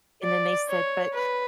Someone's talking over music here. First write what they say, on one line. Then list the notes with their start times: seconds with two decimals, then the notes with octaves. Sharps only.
and then they said, "But
0.24 D5
0.69 C#5
1.14 B4